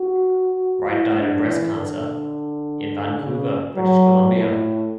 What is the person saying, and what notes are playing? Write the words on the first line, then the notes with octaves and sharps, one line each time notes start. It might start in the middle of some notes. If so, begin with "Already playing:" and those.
Wright died of breast cancer in Vancouver, British Columbia.
Already playing: F#4
E4
D4
E3
D3
C#3
F#3
A2